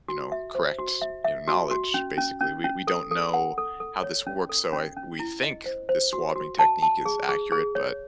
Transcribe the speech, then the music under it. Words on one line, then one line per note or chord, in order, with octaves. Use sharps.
you know, correct, you know, knowledge, basically we we don't know how this works, so I we think the swabbing technique is accurate, but
F#4
E5
C5
F#4
E5
E5
F#4
F#4
C#4
C#4
C#4
C#4
A4
A4
F#5
A4
A4
C#5
C#4
A4
C#4
C#4
E4
D#5
C5
C5
F#4
F#4
A5
A5
G#4
G#4
G#4
C#5